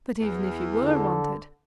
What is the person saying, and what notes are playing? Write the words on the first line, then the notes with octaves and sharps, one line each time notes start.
"But even if you were wanted--?"
E2
D3